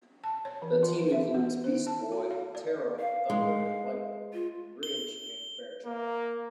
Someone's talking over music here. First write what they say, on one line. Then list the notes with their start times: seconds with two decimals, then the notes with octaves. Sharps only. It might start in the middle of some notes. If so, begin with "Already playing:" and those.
The team includes Beast Boy, Terra, Thunder and Lightning, Ridge and Fairchild.
0.24 A5
0.45 C#5
0.62 E3
0.83 F4
1.12 E5
1.34 B3
1.64 C5
1.87 A5
2.12 F#4
2.31 F5
2.55 D5
2.98 F5
3.30 G#3
4.33 F4
4.83 G7
5.85 A#3